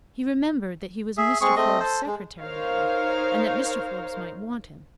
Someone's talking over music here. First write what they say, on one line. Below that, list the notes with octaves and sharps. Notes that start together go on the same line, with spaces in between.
He remembered that he was Mr. Forbes's secretary now, and that Mr. Forbes might want him.
G#4 E5
G#3 C4 G#4 C#6
A3 C4 D#5
A4 C5
G#3
D#4 A#4 C5 C#5 F5